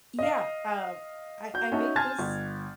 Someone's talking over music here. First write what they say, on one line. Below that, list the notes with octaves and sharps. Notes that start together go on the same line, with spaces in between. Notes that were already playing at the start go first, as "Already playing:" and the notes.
Yeah, um, I I make this
D#5 F5
F#4 G6
C#4 D#4 F#4 E5 A5
G#5 A5 C6 F6 G#6 A6
G1